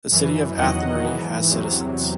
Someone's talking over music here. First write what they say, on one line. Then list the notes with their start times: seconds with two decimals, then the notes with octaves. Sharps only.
The city of Athenry has citizens.
0.11 F#2 E3
0.56 E2 D#3 F#3 D#5 F#5
1.03 G#2 E3
1.49 E2 C3 F#3